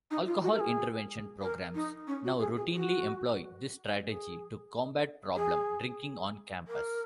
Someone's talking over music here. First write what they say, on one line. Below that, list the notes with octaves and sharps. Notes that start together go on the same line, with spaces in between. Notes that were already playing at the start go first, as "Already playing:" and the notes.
Alcohol intervention programs now routinely employ this strategy to combat problem drinking on campus.
D#4
F4
F#4
A#4
G#4
A#4
D#4
C#4
F#4
G#4
G#4
F#4
G#4
G#4
A#4